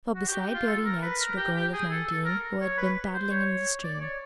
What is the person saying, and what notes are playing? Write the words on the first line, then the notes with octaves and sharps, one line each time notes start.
For beside Beardy Ned stood a girl of nineteen, who had been paddling in the stream.
F#4
G4
G4
F4
A4
A#4
B4
A#4
G4
G4
G#4
A4
A4
A#4
C#5
B4
C5
C#5
D5
C#5